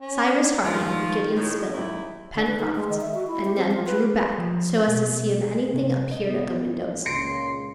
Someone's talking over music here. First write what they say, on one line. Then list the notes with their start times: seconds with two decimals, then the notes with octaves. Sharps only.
Cyrus Harding, Gideon Spilett, Pencroft, and Neb drew back, so as to see if anything appeared at the windows.
0.01 C#4
0.64 D#3 F3
1.35 A2 G#3
1.72 D#2 E4
2.34 D3
2.46 B4
2.59 D#4
2.75 G#3
2.89 D#3
3.01 E5
3.14 F#4
3.27 E4
3.45 G4
3.57 C4
3.71 F4
3.86 B4
4.38 F3
4.87 B2
5.74 C3
6.11 D#5
6.29 B3
7.06 C#2 A#2 C6 A#6 C#7 D7